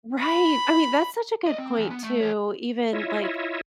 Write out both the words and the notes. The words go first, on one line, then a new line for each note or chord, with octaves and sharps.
Right! I mean, that's such a good point too, even, like,
B5
D5 D#5
C4
E2
B3
A3
E3 C#5
E4 F4 C#5 D#5 E5